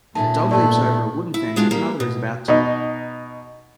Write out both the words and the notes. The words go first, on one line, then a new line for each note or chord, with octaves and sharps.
A dog leaps over a wooden fence as another is about to.
A#2 D#3 A3 C#4 A5
G#2 B2 A3 B3 D5 A5
E4
G#3 D4 F4 F#4
G3 A#3
B2
B2 D#4